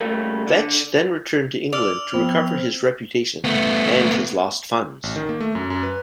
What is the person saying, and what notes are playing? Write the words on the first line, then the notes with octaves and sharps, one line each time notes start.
Vetch then returned to England to recover his reputation and his lost funds.
C#2 C#3 G3 A3 A#3
D3
D5 E6 F6 F7
F3 B3 C4 C5
A3 B3
A1
D#3
A#3
A3
F#2
F#2
B4